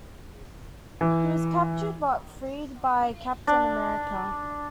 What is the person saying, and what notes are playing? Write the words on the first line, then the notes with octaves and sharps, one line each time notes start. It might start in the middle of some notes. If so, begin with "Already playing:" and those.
He was captured, but freed by Captain America.
E3
D4